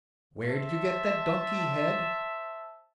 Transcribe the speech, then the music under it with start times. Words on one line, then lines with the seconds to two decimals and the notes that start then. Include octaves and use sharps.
Where did you get that donkey head?
0.49 C5 E5 A5